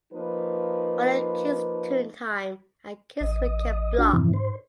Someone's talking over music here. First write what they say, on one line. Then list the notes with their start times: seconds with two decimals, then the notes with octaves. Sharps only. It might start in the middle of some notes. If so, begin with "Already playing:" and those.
Under "Kidz Toon Time" and "Kidz Weekend" block.
0.12 F3 A#3 D#4 B4
3.21 A1 D#5
3.98 D4 F#4
4.13 F2 G#2 C3 E3
4.33 C5